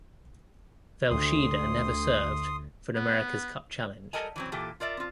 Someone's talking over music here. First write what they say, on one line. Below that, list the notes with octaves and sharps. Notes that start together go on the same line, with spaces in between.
"Velsheda" never served for an America's Cup challenge.
D2 C6 D#6
B3
G3 A4 A#4 D#5 G#5
E3 F#3 C4
A#2 E3 G4 A4
F4 A#4 D5 E5
C4 F4